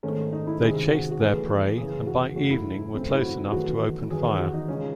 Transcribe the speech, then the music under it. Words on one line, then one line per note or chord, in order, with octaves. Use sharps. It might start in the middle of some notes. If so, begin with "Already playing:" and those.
They chased their prey and by evening were close enough to open fire.
G#1 G#2 D#3 A3 C#4
D#4
E4
C#2 C3 D#3 G#3 G#4
G#4
F#4
F#4
E2 C#3 F#3 A3 G#4
F#1 E2 C#3 G#4
F#4
F#2 C#3 F#3 A3 F#4
E4
G#1 F#2 C#3 F#3 A3 C4
E4
F#4
E2 D#3 F#3 A3 F#4
E2 D#3 F#3 G#4
F#4
D#4
C#2 C#3 G#3 C#4